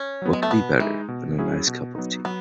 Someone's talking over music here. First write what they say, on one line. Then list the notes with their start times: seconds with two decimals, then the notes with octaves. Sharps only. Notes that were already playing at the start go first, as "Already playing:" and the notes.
What could be better than a nice cup of tea?
Already playing: C#4
0.22 F#3 B3
0.33 G#3
0.43 A3
0.51 B2 B3
0.80 E3 G#3 D#4
1.08 B2
1.38 F#3 C#4 E4 G#4
1.67 B2
1.96 F#3 B3 D#4
2.25 F#3 B3